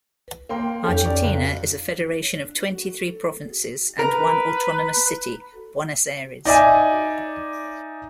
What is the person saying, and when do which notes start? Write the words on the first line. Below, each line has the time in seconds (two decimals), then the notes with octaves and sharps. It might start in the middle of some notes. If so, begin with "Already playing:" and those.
Argentina is a federation of twenty-three provinces and one autonomous city, Buenos Aires.
0.49 A#3 G5 C6
0.84 F2 C#4 G4 A4
1.05 C#4 D5
1.24 C#2
3.99 A#4 B4
6.45 D#4 D5 E5 G#5